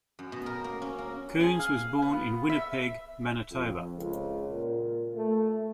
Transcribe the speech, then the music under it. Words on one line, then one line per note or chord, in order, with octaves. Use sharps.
Coons was born in Winnipeg, Manitoba.
F#2
B2
A#4
A#3
C#4
A#3
G#4
F5
B3
E5
F2
C#2
A#2
A3